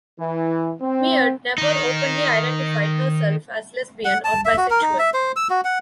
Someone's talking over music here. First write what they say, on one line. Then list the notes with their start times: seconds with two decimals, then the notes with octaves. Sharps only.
Mead never openly identified herself as lesbian or bisexual.
0.19 E3
0.81 C4
1.58 D#3 D#4
4.05 F#5
4.24 A5
4.45 E5
4.57 F#4
4.70 A#4
4.82 D#4
4.99 E5
5.14 C5
5.36 E6
5.50 F#4
5.65 F#5